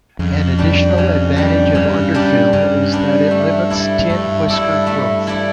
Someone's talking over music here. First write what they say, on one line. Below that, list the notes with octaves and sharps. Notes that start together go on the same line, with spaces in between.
An additional advantage of underfill is that it limits tin whisker growth.
F2 C#3
G3 D4 G4
C#3
G3 D4 G4
G2 C#3
G3 D4 G4
G2 C#3
G3 D4 G4
A3
E4 A4 D5
G2 A3
G2 E4 A4 D5
A3
E4 A4 D5